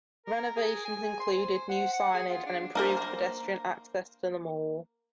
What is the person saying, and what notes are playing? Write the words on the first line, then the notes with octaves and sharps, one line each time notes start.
Renovations included new signage and improved pedestrian access to the mall.
A#4
G#4
G#5
C6
C5
F#5
F#5
G#4
F4
D4
A#3 A#4 C5